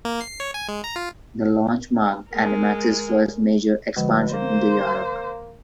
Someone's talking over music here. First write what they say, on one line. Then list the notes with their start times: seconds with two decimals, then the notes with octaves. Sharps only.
The launch marked Animax's first major expansion into Europe.
0.05 A#3
0.21 C7
0.40 C#5
0.54 G#5
0.68 G#3
0.84 A#5
0.96 F4
2.31 G#3 A#4
3.97 B2 D3 F3 G#3
4.33 A#3 C5